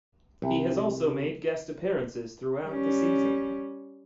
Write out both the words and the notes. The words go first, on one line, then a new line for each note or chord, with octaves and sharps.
He has also made guest appearances throughout the season.
C2
G3 C#4